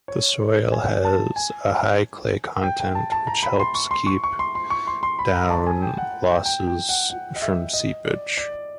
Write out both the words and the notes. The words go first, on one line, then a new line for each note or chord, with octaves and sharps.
The soil has a high clay content which keeps down losses from seepage.
C#5
G#5
A5
G#5
G5
G5
A5
A5
A#5
B5
C6
C#6
C6
C#6
C#6
C6
C6
C#6
C6
C6
B5
A#5
A5
G#5
G5
F#5
G5
G5
G5
F#5
F#5
D#5
E5
D#5
D5
D5